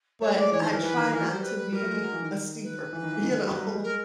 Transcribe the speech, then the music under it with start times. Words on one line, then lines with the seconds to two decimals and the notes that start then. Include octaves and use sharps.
but I try not to be a steeper, you know,
0.21 A3 C#5
0.36 G#3 D5
0.52 E3 C#5
0.61 D#3 C5
0.71 E3 A#4
0.81 E3 B4
0.97 D#3
1.12 E3 A#4
1.22 F#3
1.27 C5
1.32 G3
1.42 B4
1.57 B4
1.72 G3 A#4
1.82 A3
1.92 G#3
2.02 F#3
2.12 E3
2.22 D#3
2.63 B4
2.93 E3
3.03 D#3
3.12 E3
3.23 D#3
3.33 G#3
3.44 G3
3.54 F#3
3.63 G3
3.73 G#3
3.83 A#4